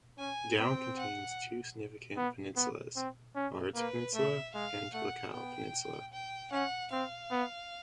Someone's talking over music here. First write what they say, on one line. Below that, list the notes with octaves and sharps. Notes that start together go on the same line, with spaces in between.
Down contains two significant peninsulas: Ards Peninsula and Lecale peninsula.
C#4 G#5
C4 G5
F#5
B3
B3
C4
C#4
A#3 B4
A3 E5
G#3 F5
A3 F#5
B3 G5
G5
C#4 F#5
C4 F5
B3